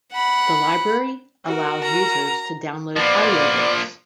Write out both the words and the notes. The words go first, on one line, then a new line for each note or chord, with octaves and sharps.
The library allows users to download audiobooks.
F#5 B5
F#4 A#4
A#5
F3 A#3 B3 D5